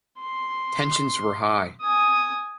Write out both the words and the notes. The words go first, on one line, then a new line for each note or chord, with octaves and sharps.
Tensions were high.
C6
G#5 D#6